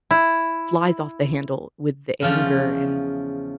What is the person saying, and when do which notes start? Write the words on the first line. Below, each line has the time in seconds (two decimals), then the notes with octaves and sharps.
flies off the handle with the anger. And,
0.11 E4
2.21 E2 C#3 F3 F4 D5